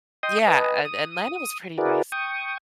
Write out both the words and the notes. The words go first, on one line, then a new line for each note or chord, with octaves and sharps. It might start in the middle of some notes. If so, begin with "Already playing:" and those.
yeah, At Atlanta was pretty nice.
D#5 G5 C6 D#6
B4 D#5
D#6
E4 F#4 G#4 A#4 B4 D5
G5 C#6 D#6